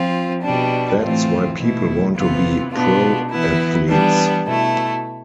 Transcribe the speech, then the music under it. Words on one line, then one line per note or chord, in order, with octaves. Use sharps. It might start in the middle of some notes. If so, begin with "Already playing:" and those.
That's why people want to be pro athletes!
Already playing: F3 C4 F4
B2 G3 D4
A2 E3 A3 C4 F4
B2 A3 E4
C3 E3 B3 F4
B2 B3 D4 F4
E3 B3 E4
E3 G3 B3 D4
B2 A3 E4